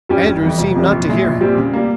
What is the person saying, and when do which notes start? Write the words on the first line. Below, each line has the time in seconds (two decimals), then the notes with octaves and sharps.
Andrews seemed not to hear him.
0.09 G2 G3 C#4 G4
0.26 G1
0.42 F2 E3
0.59 F1
0.75 F2 C3 E3 G3
0.91 A#1
1.08 A#2 G#3 E4
1.24 A#1
1.40 A#2 G3 C4 G4
1.57 C#3
1.73 G3 A#3